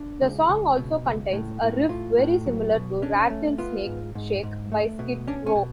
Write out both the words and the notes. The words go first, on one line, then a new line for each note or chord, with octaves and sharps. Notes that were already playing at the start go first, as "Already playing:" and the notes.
The song also contains a riff very similar to "Rattlesnake Shake" by Skid Row.
Already playing: D4
C#2
C#2
B2
C#2
A2
A2
A2 F4
A2
F#3
B2
C#4 D4
A3
B3 F4
G#2
G#2
G#2
A3
B2
C#4 D4
C#4
B2